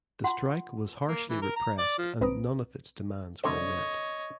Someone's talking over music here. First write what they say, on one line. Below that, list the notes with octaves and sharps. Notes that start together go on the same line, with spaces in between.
The strike was harshly repressed and none of its demands were met.
F4 F#5 C6
A#3
E3
A#4
A#5
D5
F3
B1 C4 B4 A#5 D#6 D7
C2 D3 C5 C#5 D#5